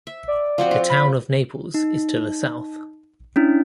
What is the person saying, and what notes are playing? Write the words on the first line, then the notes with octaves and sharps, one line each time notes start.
The Town of Naples is to the south.
E5
D5
F3 C4 F#4
F4
B5
D#4
C#4 D4 E4